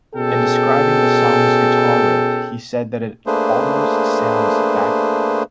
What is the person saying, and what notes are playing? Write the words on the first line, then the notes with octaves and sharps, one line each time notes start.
In describing the song's guitar riff he said that it "almost sounds backward".
B2 C#4 G#4 A4 G5
A3 A#3 D4 G#4 B4 C5